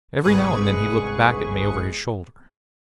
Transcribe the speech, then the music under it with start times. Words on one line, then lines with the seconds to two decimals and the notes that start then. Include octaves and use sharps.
Every now and then he looked back at me over his shoulder.
0.24 G1 C2 G#2 G#4 B4 C#6